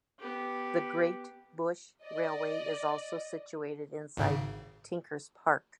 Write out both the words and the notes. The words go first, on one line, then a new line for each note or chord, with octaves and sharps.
The Great Bush Railway is also situated inside Tinkers Park.
B3 G4
D5 D#5
G#1 G#2 C#3